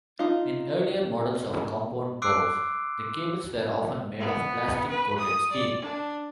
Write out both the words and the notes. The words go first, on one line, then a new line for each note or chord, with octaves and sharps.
In earlier models of compound bows, the cables were often made of plastic-coated steel.
D#4 F4
C6 D6 E6 F#6 C7 D7
B3
B4
D#6
D5
D4